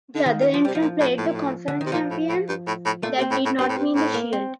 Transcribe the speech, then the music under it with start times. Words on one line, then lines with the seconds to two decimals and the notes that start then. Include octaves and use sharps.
The other entrant played the conference champion that did not win the Shield.
0.14 D3
0.25 C3 D#3
0.40 A#2
0.54 F3
0.65 C3 G3
0.75 F3
0.82 A#2
1.00 A2
1.18 A2
1.27 A#2
1.35 A2
1.68 D3
1.81 D#3
1.86 C3
1.92 A#2 F3
2.11 A2
2.29 A2
2.49 G2
2.67 A2
2.86 A2
3.03 A#2 A3
3.17 C3
3.21 C4
3.31 A2
3.45 A2
3.59 G2 C4
3.69 A2
3.78 G2
3.96 A2
4.14 A#3
4.33 C4